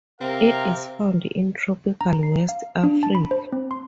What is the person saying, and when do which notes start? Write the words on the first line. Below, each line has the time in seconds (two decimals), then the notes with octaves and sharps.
It is found in tropical West Africa.
0.21 C3 C4 A#4 F5
2.01 A#5
2.23 C7
2.49 F5
2.83 D4
3.03 A5
3.15 B5
3.31 C5
3.52 C4
3.71 C6